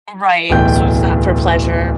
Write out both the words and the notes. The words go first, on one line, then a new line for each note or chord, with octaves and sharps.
Right, so it's not for pleasure.
D1 B1 E3 G5 G6